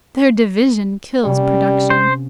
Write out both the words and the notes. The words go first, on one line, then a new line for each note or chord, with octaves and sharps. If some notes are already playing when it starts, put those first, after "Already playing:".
Their division kills production.
C3 G3 A#3 C#4
C5